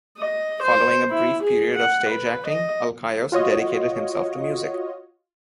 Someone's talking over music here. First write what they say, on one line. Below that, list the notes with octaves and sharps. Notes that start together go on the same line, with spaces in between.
Following a brief period of stage acting, Alkaios dedicated himself to music.
D#5
C5
E4
G#4
F#5
B4
D#5
F4 F#4 C#5 D#5